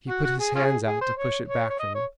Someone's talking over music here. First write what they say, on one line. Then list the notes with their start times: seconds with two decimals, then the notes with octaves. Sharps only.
He put his hands out to push it back from him.
0.09 F#4
0.24 F#4
0.40 G#4
0.55 C#4 F4 G#4
0.86 G#4
1.01 C5
1.17 C#5
1.48 C#5
1.70 C#5
1.79 D#5
1.94 C#5